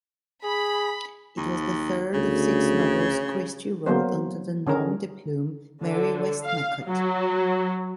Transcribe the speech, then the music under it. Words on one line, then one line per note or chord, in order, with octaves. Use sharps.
It was the third of six novels Christie wrote under the nom-de-plume Mary Westmacott.
G#4 B5
D#2
D2 C#3
F#3 A#3 B3 C5
D3 C#4 G#4 A#4
D3
F5
F#3